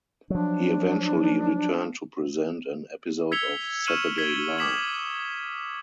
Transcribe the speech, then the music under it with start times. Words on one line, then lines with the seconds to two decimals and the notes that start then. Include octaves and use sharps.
He eventually returned to present an episode of "Saturday Live".
0.30 F3 F#3 D4
3.31 E6 G#6 B6 C#7 F7 G7
3.86 C#6 F6 C#7 D#7 E7 F#7
4.18 G#6 B6 F#7 G7
4.58 D6 D#6 B6 E7 F#7